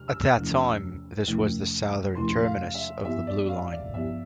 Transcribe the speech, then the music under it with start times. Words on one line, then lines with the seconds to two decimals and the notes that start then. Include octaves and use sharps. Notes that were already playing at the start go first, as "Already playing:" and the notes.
At that time, this was the southern terminus of the Blue Line.
Already playing: E2 C3 F3 F6
0.08 E6
0.37 E2 C3 F3 A3 E4
1.27 E2 C3 F3 A3 E4
2.15 E2 C3 F3 A3 E4 C6
2.45 F5
2.74 E5
3.04 G2 F3 B3 E4 G4 E5
3.27 D5
3.49 F5
3.72 D5
3.94 G2 F3 B3 E4 G4 E5